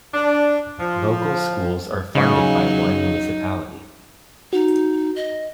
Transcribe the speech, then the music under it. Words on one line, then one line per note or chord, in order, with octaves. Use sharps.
Local schools are funded by one municipality.
D4
F3
C#3 F#3 D#4
D#4 F#4
D#5